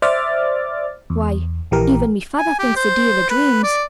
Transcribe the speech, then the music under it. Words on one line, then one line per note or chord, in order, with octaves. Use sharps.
Why, even my father thinks a deal o' dreams!
C5 D5 E5 D6 F6 A6
E2
A#1 E3 G4 A#4
G#5
G4
C5
B4
D5